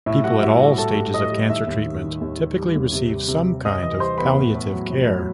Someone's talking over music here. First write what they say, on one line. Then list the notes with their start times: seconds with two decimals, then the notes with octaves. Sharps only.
People at all stages of cancer treatment typically receive some kind of palliative care.
0.06 A2 E4 E5
0.24 G3 F#4 F#5
0.42 G3 E4 E5
0.60 G3 F#4 F#5
0.78 A2 A4 A5
0.95 G3
1.14 A2 D#5 D#6
1.32 G3
1.49 D#3 E5 E6
1.67 D#2
1.86 D#3
2.04 D#3
2.21 D#2
2.40 D#3
2.57 G3
2.76 D#2
2.93 C3
3.11 G3
3.28 C3
3.46 G3
3.65 C3 D#5 D#6
3.82 E3 D#5 D#6
4.00 G3 C5 C6
4.18 E2 B4 B5
4.36 A2
4.54 A2
4.72 F#3
4.90 A2
5.08 F#3